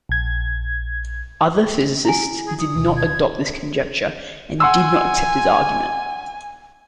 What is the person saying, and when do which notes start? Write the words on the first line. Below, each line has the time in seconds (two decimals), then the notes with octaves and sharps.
Other physicists did not adopt this conjecture and did not accept his argument.
0.09 A#1 G#6
2.05 E4 G#5
2.46 G#4
2.59 D#6
2.75 D2 B2 D#3
2.96 G#6
4.60 F#5 G#5 C6 E6